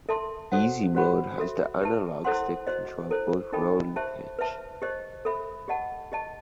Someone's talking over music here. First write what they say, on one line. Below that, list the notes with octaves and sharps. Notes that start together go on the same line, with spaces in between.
Easy Mode has the analogue stick control both roll and pitch.
A4 E5 A5 C6
F#4 A4 C5 F#5
F#4 C5 F#5 B5
F#4 A4 E5
G4 B4 E5 A5
E4 A4 C5 F#5 C6
F#4 C5 D#5
E4 A4 C5
D#4 A4 D#5 G5 B5
G4 C5 E5 A5
B4 E5 A5
G4 C5 D#5
A4 E5 B5
G4 D#5 F#5 A5
G4 D#5 A5